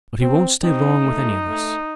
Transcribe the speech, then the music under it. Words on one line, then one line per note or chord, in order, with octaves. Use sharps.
But he won't stay long with any of us.
C4
C4 D#4
A3
A3